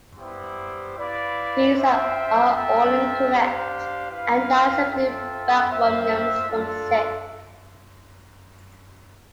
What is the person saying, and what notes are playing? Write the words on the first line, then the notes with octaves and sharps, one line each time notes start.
These are all incorrect and are simply backronyms from "sic".
G3 B3 E4 G4 C5
E4 B4 D5 F5
F4 C5 E5 G5
F4 A4 E5 G5
D4 G4 C5 F5
E4 B4 F5
F4 A4 E5 G5
F4 C5 E5 G5
D4 F4 A4